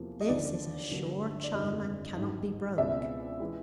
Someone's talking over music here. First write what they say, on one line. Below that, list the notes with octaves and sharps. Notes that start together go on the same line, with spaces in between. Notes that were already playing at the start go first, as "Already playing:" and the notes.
This is a sure charm, and cannot be broke.'
Already playing: E2 C3 F3 A#3
D#5
D#2 D3 F3 D5
G1 G2 D3 F#3 A#3
D5
G1 F2 C3 D#3 G#3 D#5
A1 G#2 D#3 F#3
C#2 B2 G#3 C4 E4 D5 E5
E3 G#3